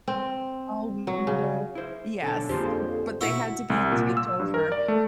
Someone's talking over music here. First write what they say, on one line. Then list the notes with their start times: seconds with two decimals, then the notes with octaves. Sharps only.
all window yes, b but they had to be taped over.
0.08 C4
1.07 F#3
1.27 C#3
1.75 E4 C5
2.22 B1 D3 C#4 A4 A5
2.49 F2 D3 A#3 F4 G4 G#4 C5
3.21 G2 B2 E4 F#4 E5
3.70 C2
3.92 A#2
4.17 E6
4.40 G2
4.54 A#4
4.72 D5
4.88 A3